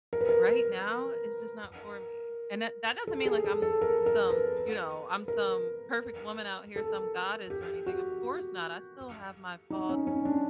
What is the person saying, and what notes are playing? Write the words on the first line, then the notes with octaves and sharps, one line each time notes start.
right now, it's just not for me. And that that doesn't mean, like, I'm some, you know I'm some perfect woman out here, some goddess or anything, of course not, I still have my faults,
A#4
B4
A#4
A4
G#4
A4
A4
A#4
A#4
B4
A#4
A4
G4
F#4
D#4
C#4
C#4
D4